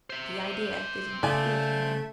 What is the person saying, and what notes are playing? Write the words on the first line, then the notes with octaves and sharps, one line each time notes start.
The idea didn't appeal to him.
C5 E5
C#3 A3 D5 G#5 A5